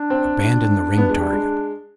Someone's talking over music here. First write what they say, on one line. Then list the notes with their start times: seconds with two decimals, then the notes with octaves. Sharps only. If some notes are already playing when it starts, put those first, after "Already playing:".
Abandon the ring target.
Already playing: D4
0.10 C4
0.98 B3
1.09 G#3
1.20 G3
1.33 G#3